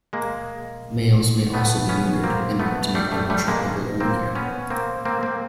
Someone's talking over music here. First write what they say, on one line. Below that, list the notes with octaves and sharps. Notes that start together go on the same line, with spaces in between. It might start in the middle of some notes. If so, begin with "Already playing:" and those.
Males may also be neutered in order to make them more tractable or meatier.
G#3 A#3
A3 B3
B3 C#4
A#3 C4
A3 B3
G3 A3
G3 A3
G3 A3
G#3 A#3
A#3 C4
B3 C#4
A#3 C4
A#3 C4
A#3 C4